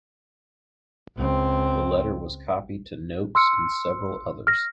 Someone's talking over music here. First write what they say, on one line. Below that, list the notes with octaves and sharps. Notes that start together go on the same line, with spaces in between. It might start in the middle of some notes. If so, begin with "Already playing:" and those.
The letter was copied to Noakes and several others.
C#2 C4
C6 E6 F6 C#7
F6 A#6